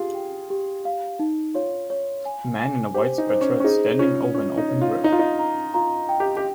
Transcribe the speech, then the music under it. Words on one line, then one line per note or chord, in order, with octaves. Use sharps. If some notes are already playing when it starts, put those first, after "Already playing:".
A man in a white sweatshirt standing over an open grill.
Already playing: F4 G4 G#4
G5
G4
F5
D#4
F4 C#5
C#5
G#5
G#5
G4 C5
D#4
C5
C#4
C#4
D#4 G#4
C#4 F4
C#4 F4
D#4
C#5
F4
D#4 A#5
F4
D#4
A#5
F4 A#5
G5
G4
G4